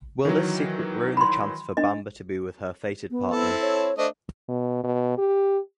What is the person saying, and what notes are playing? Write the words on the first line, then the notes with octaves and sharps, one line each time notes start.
Will this secret ruin the chance for Bamba to be with her fated partner?
D#3 E3 F#3
B5 C6
D4 D#5
B3
C4 E4 A4
C#5
A3 D4 C5 D#5
B2
B2
G4